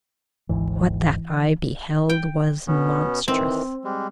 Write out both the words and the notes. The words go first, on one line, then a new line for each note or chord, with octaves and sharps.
What that eye beheld was monstrous.
G#1 D2 G#2 E3
G5
B2 B3 C#4
D#3 E3 C4
G3 G#3